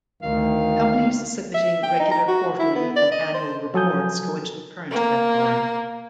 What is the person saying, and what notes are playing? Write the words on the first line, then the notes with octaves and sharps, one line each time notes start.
Companies submitting regular Quarterly and Annual Reports go into the Current category.
D2 D#3 F5
E5
G5
D#4
A#5
F#4
E4
B3
D5
D#5
C5
F3 F#3 A4 G#5 D#6 G6
A#3